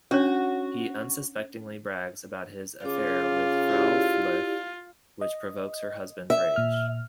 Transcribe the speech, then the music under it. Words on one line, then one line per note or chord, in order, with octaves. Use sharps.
He unsuspectingly brags about his affair with Frau Fluth, which provokes her husband's rage.
C#4 D4 F#4 C#5
C#3 F4 D6
E4 G4 D5
D#5
E5
A#2 F6